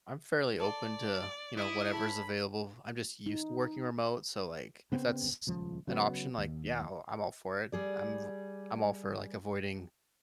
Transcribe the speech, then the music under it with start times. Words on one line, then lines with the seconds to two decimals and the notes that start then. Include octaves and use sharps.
I'm fairly open to, you know, whatever's available. I'm just used to working remote, so, like, if that's an option, like, yeah, all I'm all for it. I'm avo I'm all for, like, avoiding
0.60 A4 D5 C6
1.57 D#4 E4 D#6
1.93 A4 C#5 G#5 B5
3.26 D#4
4.92 C#3 B3 C4
5.47 D#1 C#2 F3
5.87 C#3 F#3 G#3 B3
6.38 D#2
7.72 G3 G#4 D5